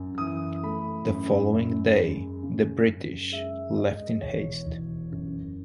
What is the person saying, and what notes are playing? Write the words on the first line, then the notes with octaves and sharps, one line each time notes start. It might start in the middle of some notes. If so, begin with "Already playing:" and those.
The following day, the British left in haste.
Already playing: F#2
E3 D#6
A3 B5
F#2
F#2
G#3
C#3
F#2
G#3 E5
G#3 D#5
E1 C#5
E1
F#2